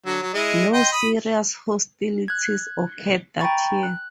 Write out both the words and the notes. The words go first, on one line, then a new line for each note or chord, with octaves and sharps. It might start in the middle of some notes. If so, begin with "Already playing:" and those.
No serious hostilities occurred that year.
D3 F#3
F#3
G#3 E4 D#5
D#5 G5 C6
B5 D#6
F#6 G#6
G5 G#5 A#5 B5 C#6 A6
F#6